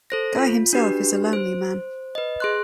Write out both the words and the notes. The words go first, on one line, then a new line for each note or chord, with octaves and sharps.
Guy himself is a lonely man.
A4 C5 A#6
F4
D4 F#4 G4 B4
C5
B4 D#5
G#4 C6 F#6